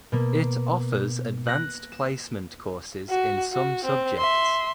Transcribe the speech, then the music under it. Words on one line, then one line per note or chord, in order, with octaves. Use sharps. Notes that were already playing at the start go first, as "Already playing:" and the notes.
It offers Advanced Placement courses in some subjects.
B2 A#3
F#6 A#6
E7
F#4
F#4
C4
E5 C6